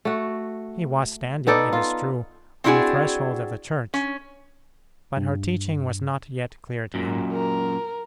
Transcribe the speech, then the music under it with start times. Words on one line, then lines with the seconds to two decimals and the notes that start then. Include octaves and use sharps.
He was standing, it is true, on the threshold of the Church, but her teaching was not yet clear to him.
0.05 A3 F#4
1.47 B3 D#4 A4 D5
1.73 F4
2.64 C4 D4 E4 F#4 G#4
3.94 C#4
5.17 G2
6.94 F#2 A#2
7.32 A#4